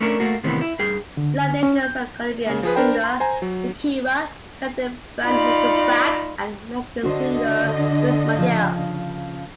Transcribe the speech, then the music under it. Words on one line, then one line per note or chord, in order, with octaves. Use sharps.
Live Nation signed Colombian singer Shakira, Canadian band Nickelback and Mexican singer Luis Miguel.
A3 C#4 D4 A#4
A3 A#3 F#4
A2 C3 D#3 E3 B3
E4
G2 G#4 G5
D3
C#4
G6
C#3 A#3
F3 G#4 B4
D4 A#4 C5 G5 B5
C6
C5 G#5 A#5
F#3
D#4 F4 D5 B5
D3 F#4 C5 D#5
C#3 F3